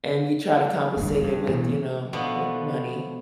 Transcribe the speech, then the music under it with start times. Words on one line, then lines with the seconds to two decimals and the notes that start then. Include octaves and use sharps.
and you try to compensate it with you know, with money.
0.97 D1 A1 G2
1.23 G2
1.49 B2 E3
2.13 B2 F3 A3 B3 D4